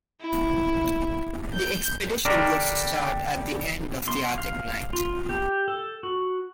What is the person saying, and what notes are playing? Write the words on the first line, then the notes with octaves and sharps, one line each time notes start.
The expedition was to start at the end of the Arctic Night.
E4
G6
D3 G3 D4 A#4
C6
F5
F4
G4
A4
F#4